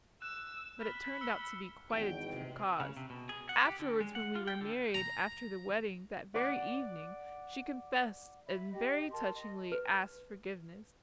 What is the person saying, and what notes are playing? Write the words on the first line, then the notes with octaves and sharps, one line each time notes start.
But it turned out to be quite a different cause. Afterwards, when we were married, after the wedding, that very evening, she confessed, and very touchingly asked forgiveness.
E6 F#6 E7
B5 F6
E6 C#7 G7
G#1 E2 B2 G5
C3
C#3
C3
B2
G#4
F#5
G4
D3
G#3
F#5
F4
G5
D3
A#5
D5 F#5
E5 B5
G4 D#5
A#4 A5 C6
D#5
B4